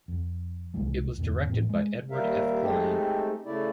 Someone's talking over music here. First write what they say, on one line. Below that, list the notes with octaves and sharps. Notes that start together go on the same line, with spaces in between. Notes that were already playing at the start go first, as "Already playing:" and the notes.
It was directed by Edward F. Cline.
F2
C2 E3 G#3
E2 G#2 B2 D3
A2 E3 C4
G#3
D#2 G3 A#4 E5 F5
G#3 A3 C4 D#4 G4 A4
C#3 A3 E4 D5